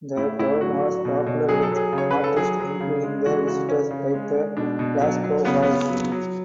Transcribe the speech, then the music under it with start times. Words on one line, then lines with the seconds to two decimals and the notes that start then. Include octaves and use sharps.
The town was popular with artists including the visitors like the Glasgow Boys.
0.16 A2 E4
0.39 A2 E4
0.61 F#3 F#4
0.83 F#3
1.05 B2
1.26 B2
1.49 F#3 G#4
1.63 A4
1.71 F#3 G#4
1.93 C#3
1.98 C#5
2.11 C#3 B4
2.24 A4
2.37 F#3 G#4
2.60 F#3
2.80 C#3
3.03 G#3
3.26 E3 F#4
3.47 C#3 F#4
3.69 C#3 C#4
3.91 C#3
4.14 G#3
4.35 G#3
4.57 B2 D4
4.79 B2
5.01 F#3
5.23 F#3
5.45 C#3 B3
5.63 C#3 B3
5.89 F#3
6.12 F#3